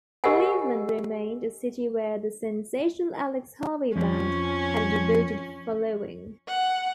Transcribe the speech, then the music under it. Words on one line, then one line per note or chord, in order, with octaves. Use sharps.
Cleveland remained a city where the Sensational Alex Harvey Band had a devoted following.
G4 A#4 D#5 E5 F#5 G#5
F2 F3 C#4
F#5